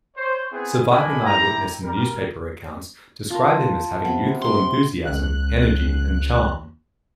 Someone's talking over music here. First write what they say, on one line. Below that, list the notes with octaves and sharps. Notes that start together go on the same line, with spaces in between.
Surviving eyewitness and newspaper accounts describe him as having youthful enthusiasm, energy, and charm.
C5 C#5
B3 C4 E4 G#4
A#3 D4 A#4 D#5 G#5 B5
G3 E4 G4 A#5
G3 A#4
F4 A#4 A5
C3 B3
C6
C#2 F#6